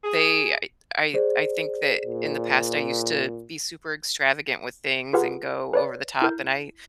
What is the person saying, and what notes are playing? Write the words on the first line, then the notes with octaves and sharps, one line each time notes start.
they I I I think that in the past, I used to be super extravagant with things and go over the top, and I
G#4
G#4 C5 D5
A#2
F4 G4 G#4 A#4 B4 F#5
B4 C#5 D5
E4 A#4 G6